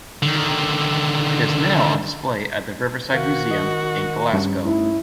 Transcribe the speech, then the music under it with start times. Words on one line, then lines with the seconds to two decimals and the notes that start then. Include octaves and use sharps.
It is now on display at the Riverside Museum in Glasgow.
0.23 D3 D#3
3.14 D#3 F#4 A#4 F5
3.51 D#5
4.33 G2 C#4
4.65 A3 D#4 E4